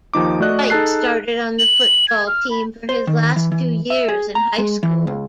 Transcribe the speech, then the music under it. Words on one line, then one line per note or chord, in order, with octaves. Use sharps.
Reich started on the football team for his last two years in high school.
D#2 F3 D#4 D6
A3 F#4 D5 D#5 F#6
D#4 G#4 A4 A5 F#6 C7
F#7
G#6
F6
B5
C5
D#3
E3
E3
E5
G#4
A#5
G#3
E3
C#2